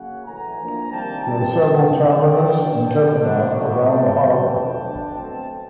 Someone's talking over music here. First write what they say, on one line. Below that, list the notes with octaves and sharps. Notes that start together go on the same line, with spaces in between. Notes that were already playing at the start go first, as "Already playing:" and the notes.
There are several Tavernas and Kafenons around the harbour.
Already playing: C#3 F#3 A#3 C#4 F#5
A2 E3 A3 G#5 A#5
F3 A#3 D4
C3 D#3 G3 A#3 G5 A5
E3 G3 C4 G5 A5
C3 D#3 G3
E3 A3 C4 G5 A5
A#2 F#3 A#3 C#4
C#3 F#3 B3 D4
B2 F#3 B3 G5 A5
A2 F3 G#3 B3 D4
D#3 F#3 A3 D4
F3 G#3 C#4 G5 A5
B2 G3 A#3
D3 F3 A3 C4 G5 A5
D3 F#3 B3 D4
B2 F#3 A3 C4 G5 A5